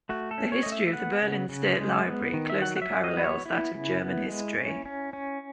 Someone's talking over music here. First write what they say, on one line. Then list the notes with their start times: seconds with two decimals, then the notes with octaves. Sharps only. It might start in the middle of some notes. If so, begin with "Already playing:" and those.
The history of the Berlin State Library closely parallels that of German history.
0.09 A3 F#4
0.31 A4
0.38 C#4
0.52 C#5
0.63 A3 D#5
0.72 E5
0.87 E5
0.93 B3 F#5
1.21 C#3
1.49 C#3
1.77 G#3
2.05 B3
2.34 D#3
2.50 E5
2.61 F#3 F#5
2.76 F#5
2.82 E5
2.90 F#3
3.04 D#5
3.17 B3 B4
3.24 C#5
3.46 B3 E4
3.74 C#3
4.01 B3
4.28 G#3
4.57 C#4
4.86 C#4
5.13 C#4